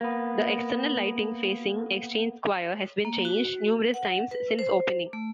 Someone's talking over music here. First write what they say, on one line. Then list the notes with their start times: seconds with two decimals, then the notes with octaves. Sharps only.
The external lighting facing Exchange Square has been changed numerous times since opening.
0.01 A#3 B3
3.05 A#3
3.25 F#4
3.94 F#5
4.31 B4
4.59 C5
5.13 A3